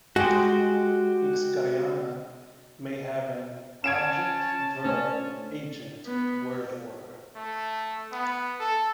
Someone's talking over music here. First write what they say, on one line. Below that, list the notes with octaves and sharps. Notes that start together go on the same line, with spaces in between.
Hixkaryana may have an object-verb-agent word order.
G#3 F#4 G4
C#4 A5 G#6 D7 E7
A3 C#4 D4 C5
B3
A3
B3
A4